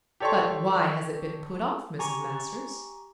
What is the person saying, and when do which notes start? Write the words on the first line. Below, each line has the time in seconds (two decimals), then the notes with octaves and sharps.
"But why has it been put off, Mrs. Masters?"
0.20 G4 A4 C#5 D5 C6 C#6
1.99 G4 G#5 A#5 C#6